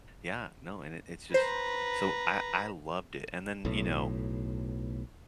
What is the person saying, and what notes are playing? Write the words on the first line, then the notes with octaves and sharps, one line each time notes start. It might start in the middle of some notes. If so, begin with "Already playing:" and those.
Yeah, no, and it it's just so I I loved it, and then, you know,
B4 C5 A#5
B1 A2